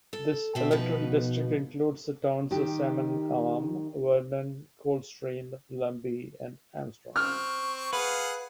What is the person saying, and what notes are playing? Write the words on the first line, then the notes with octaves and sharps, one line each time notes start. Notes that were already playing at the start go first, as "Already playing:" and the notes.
This electoral district includes the towns of Salmon Arm, Vernon, Coldstream, Lumby and Armstrong.
A4
B2 A3 C4 E5
F3 D#4 B4
D#3 G4
C4 C#6 F6
G#4 B4 F5 F#5